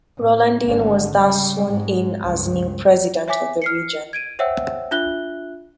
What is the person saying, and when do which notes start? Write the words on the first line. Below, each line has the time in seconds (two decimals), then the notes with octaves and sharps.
Rollandin was thus sworn in as new President of the Region.
0.16 A2
0.63 G#1 D3
1.15 C#3 G3
1.66 G#2
2.23 C#2 G2
3.28 C#5 E5 G#5 D6 B6
3.62 F6 C7 C#7
4.13 G#6 D7 D#7
4.39 C5 C#5 E5 F#5 G5 E6
4.91 D4 F4 E5 F#6 G7